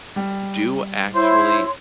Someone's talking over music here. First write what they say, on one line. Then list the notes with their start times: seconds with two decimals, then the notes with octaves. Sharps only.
do actually
0.16 G3
1.16 E4 C5 C#5 C6